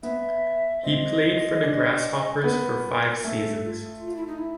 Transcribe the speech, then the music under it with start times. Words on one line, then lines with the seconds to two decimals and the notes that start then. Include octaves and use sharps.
He played for the Grasshoppers for five seasons.
0.03 B3 E5
0.83 C4 D#5
1.63 D4
2.44 B3 A#4
3.16 A#4
3.25 A3 A4
3.65 F4
4.06 F4
4.17 E4
4.27 D#4
4.38 E4